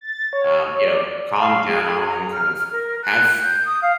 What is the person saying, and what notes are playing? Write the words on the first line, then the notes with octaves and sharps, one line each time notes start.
um, you know, calm down, kind of have
A6
C#5
C#5
D5
F5
G#4
G#4
A#5
F6
A#4
F#6
G6
D#6
F5